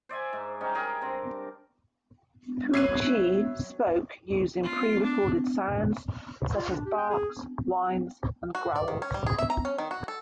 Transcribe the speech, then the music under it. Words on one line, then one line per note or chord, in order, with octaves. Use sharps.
Poo-Chi spoke using prerecorded sounds such as barks, whines, and growls.
C5 D5 E5 G#5
G#2
G3 C#4 D#4
G4 G#4 A#4 D5
G2 C4
F#3 B4 C#5 E5 D6 G#6 C7 D#7
F4
D4
F4
D4
G4
G5
G#4
F#4
D5
D#3
C#4
G3
G#4
E5
A#5
C#4
D#3
F#4
A4